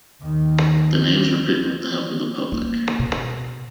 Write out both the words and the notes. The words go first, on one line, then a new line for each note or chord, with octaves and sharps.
The names were picked with the help of the public.
D#2 D#3
A#3
B2